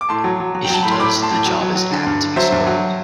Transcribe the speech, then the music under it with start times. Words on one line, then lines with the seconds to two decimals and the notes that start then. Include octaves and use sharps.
If he does, the job is apt to be spoiled.
0.01 D6
0.09 A2 A5 C6
0.24 F#3
0.40 F#3
0.55 F#3
0.65 G5
0.70 F#3 A5
0.83 A2 B5
0.91 C6
1.00 A2 B5 D6
1.15 A2
1.22 A5 C6
1.31 A2
1.46 F#3
1.61 F#3
1.75 F#3
1.91 D3
2.06 G2
2.22 D3
2.36 F#3 C5 E5
2.52 G2
2.67 F#3